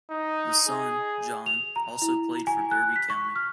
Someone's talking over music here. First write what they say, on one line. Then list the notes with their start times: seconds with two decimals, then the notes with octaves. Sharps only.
The son, John, also played for Derby County.
0.10 D#4
0.67 G#4
1.46 F7
1.76 A#5
2.02 E4
2.35 A#5
2.47 G#5
2.71 F#6
2.96 B6
3.10 C#6
3.36 F6